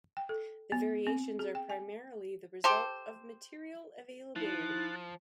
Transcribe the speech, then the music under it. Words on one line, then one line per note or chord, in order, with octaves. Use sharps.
The variations are primarily the result of material availability.
G5
A4
B3
C4
G#4
G5
G#5
G4 A4 C5
F3 D#4 E4 F#6 A6